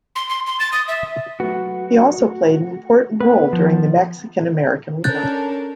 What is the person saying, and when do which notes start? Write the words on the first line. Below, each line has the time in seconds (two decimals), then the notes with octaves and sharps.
He also played an important role during the Mexican-American War.
0.16 C6
0.29 C6
0.46 C6
0.60 A6
0.72 D#6
0.88 E5
1.40 F#3 A3 F#4 B4
2.21 A3
3.21 B3 B4 F#5
3.53 F3
5.04 C#4 D4 A4 A#4 F#6 G6 A6